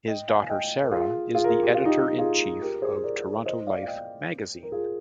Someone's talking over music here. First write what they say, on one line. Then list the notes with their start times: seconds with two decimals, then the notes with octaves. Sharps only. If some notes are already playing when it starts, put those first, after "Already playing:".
His daughter Sarah is the editor-in-chief of "Toronto Life" magazine.
0.07 D#5 G5
0.28 F5 G#5
0.44 G#5
0.49 D#5 G5
0.82 A#4
0.92 F4 G#4
1.34 F4 G#4
1.44 A#4
1.48 F4 G#4
1.63 G4
1.74 F4
1.85 D#4 G4
2.18 F4 G#4
2.61 G4 A#4
2.82 G#4 C5
3.04 A#4 D5
3.46 C5 D#5
3.67 D5 F5
3.83 F5
3.87 D#5 G5
4.63 A#4
4.72 F4 G#4